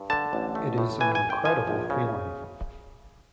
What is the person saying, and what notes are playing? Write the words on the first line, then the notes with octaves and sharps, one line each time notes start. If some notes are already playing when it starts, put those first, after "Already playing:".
It is an incredible feeling.
Already playing: G2
D3 A5
A1
A3
A2
E3 G#5
G#5
G#1
G5
F3 G#5
A#1
C#3